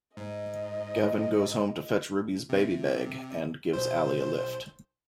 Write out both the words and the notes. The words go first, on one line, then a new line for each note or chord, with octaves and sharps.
Gavin goes home to fetch Ruby's baby bag and gives Allie a lift.
G#2 D#5
C3
B1 C5